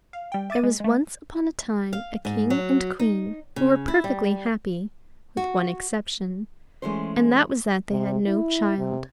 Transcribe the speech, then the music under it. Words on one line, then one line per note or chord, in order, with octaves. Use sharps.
There was once upon a time a King and Queen who were perfectly happy, with one exception, and that was that they had no child.
F5
G3 G5
E5 D6 A6 D#7
G#3
G#3 A3
F5
G#2
F#3
D#4
C#3
E4
G3
F#4
E3 G#3 A3 C#4 C5
C3
E4
C3